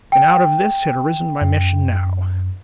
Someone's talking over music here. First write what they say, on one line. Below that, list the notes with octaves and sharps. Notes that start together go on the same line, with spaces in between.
And out of this had arisen my mission now.
G5
F#2